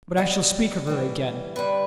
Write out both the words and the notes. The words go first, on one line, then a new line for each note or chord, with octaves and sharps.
But I shall speak of her again.
B2 G3 D#5
A2 E3 G3
G2 D3 G3 B4